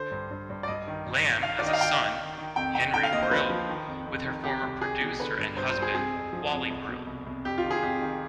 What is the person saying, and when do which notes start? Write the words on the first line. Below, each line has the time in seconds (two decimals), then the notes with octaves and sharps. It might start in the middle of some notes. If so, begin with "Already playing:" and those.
Lamb has a son, Henry Brill, with her former producer and husband, Wally Brill.
Already playing: D3 C5
0.11 G2
0.31 G2
0.50 G2
0.63 D5
0.68 G2 D#5
0.88 D#3
1.06 G2
1.24 D#3
1.43 D#3 F5
1.59 D5
1.62 D#3 D#5
1.73 F5
1.81 D#3 G5
2.00 D#3
2.19 D#3
2.38 D#3
2.56 F2 G5
2.75 F2 G5
2.94 D3 G5
3.03 F5
3.13 D#2 D#5
3.23 C5
3.31 F3 B4
3.50 F3
3.69 D#3
3.87 F2
4.06 F2
4.25 D#3
4.44 C2 G4
4.63 C2
4.81 C2 G#4
5.01 B2
5.20 D3 B4
5.38 G2
5.57 G2 C5
5.69 C5
5.76 G2
5.82 G#4
5.94 C3 G#4
6.14 F2
6.33 F3
6.51 F2
6.70 C2
6.89 B2
7.07 C2
7.27 C2
7.45 F2 G4
7.58 F4
7.64 D#3
7.71 G#4
7.83 F2 G4
8.01 D#3